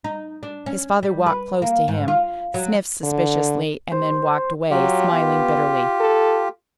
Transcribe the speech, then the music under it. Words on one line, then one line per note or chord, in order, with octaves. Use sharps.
His father walked close to him, sniffed suspiciously, and then walked away, smiling bitterly.
D#4
D4
C#4
G3
B4
A#3
G#2
F4
F#3
D3
C5
F#3 F4 G4
B3
A4